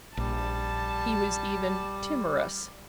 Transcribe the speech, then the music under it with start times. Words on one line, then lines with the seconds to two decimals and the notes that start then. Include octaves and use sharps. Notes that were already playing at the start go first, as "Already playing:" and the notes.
He was even timorous.
0.17 A#1 G3 A5